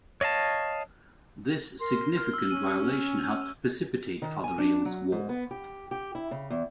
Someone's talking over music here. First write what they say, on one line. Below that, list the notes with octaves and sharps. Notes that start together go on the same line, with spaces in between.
This significant violation helped precipitate Father Rale's War.
C#5 D#5 F5 A5
A#4 C6
F6
E6
C#4 D#7
D#3
G#5
D4
F#3
G#2
B3
G4
G4
E4
C#3
E2